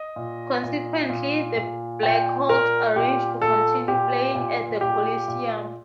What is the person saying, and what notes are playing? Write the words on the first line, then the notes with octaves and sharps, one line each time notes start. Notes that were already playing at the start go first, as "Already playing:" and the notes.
Consequently, the Blackhawks arranged to continue playing at the Coliseum.
Already playing: D#5
A#2
A#2
A#2
A#2
A#2 G5
A#2 A#4
A#2 G4
A#2 A4
A#2 G4
A#2
A#2 G4
A#2